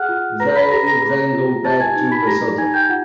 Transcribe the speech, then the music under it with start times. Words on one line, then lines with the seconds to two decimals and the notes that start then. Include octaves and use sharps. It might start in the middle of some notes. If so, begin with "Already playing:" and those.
They then go back to Lesotho.
Already playing: G#4 F#5 F6 F#6
0.09 F4
0.40 B4 A#5 A#6
0.56 B5 B6
0.71 G4 A#5 A#6
0.87 A#5 A#6
1.02 G#4 A#5 A#6
1.34 F4
1.65 G4 A5 A6
1.80 G#5 G#6
1.96 D#4
2.11 B5 B6
2.27 G4 A#5 A#6
2.58 D#4 G#5 G#6
2.74 G5 G6
2.89 F4 F#5